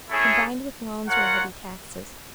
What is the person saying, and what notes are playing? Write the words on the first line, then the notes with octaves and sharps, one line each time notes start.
Combined with loans were heavy taxes.
A3 C#4 E4 G#4 C#5
F4 A#4 C#5 F#5